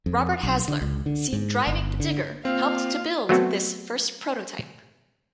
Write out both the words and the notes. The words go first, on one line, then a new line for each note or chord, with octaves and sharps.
Robert Hasler, seen driving the Digger, helped to build this first prototype.
F2
B1
D3
C#2
D3
G#2
G1
D3
A#3 C4 F4 F5
F#3 A3 B3 C4 F#4